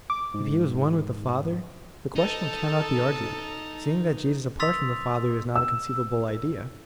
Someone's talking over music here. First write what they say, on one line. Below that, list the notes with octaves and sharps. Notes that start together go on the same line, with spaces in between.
If he was one with the Father, the question cannot be argued, seeing that Jesus apart from the Father is not a conceivable idea.
D6
G#2
D#4 A4 A5
C6 D#6 E6 A6 B6 F7
E6